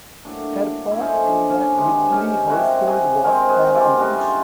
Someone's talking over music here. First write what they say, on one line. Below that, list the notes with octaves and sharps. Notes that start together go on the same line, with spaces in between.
Her part in the Midgley household was paramount.
A2 F#3 A#3 D4
D4
E4
F#2 D3 F3 C#4 D#4
D4
C#4
C3 D#3 G#3 B3 D4
C#4 D#4
C3 D#3 G3 E4 F#4
F#4 G#4
C3 D#3 G#3 C4 G#4 A#4
F#4 G#4
F4 G4
C#3 E3 G3 B3 F#4 G#4
D#4 F4